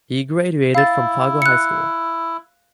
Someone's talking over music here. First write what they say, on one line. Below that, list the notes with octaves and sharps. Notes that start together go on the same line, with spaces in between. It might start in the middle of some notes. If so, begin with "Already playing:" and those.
He graduated from Fargo High School.
E4 F5 A6
F#6 C#7